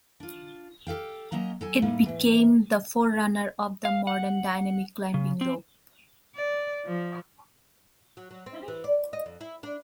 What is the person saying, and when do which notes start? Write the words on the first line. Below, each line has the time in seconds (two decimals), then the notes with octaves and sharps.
It became the forerunner of the modern dynamic climbing rope.
0.20 D4 F4
0.87 G4 A4 F5 G5
1.32 F#3 A#3 C#4 D#5 A#5
1.61 F#3 A4 G#5
1.82 A2 G3 A#3 D#4
2.06 A2 E3
3.85 F5
4.07 F#5
5.14 C#3
5.41 C4
6.35 D5
6.85 F3
8.17 F#3
8.31 F#3
8.46 C4
8.68 E3
8.84 D5
9.13 D#5
9.26 F2
9.41 E4
9.63 D4